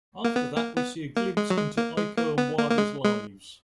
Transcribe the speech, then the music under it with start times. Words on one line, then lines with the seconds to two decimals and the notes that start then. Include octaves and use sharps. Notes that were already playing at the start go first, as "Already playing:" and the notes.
After that, we see a glimpse into Eiko and Wada's lives.
0.24 A#3
0.36 B3
0.57 A#3
0.77 B3
1.17 A#3
1.37 G#3
1.50 F#3
1.57 G#3
1.77 A#3
1.97 G#3
2.17 A#3
2.38 B3
2.58 A#3
2.71 A#3
2.78 G#3
3.05 G#3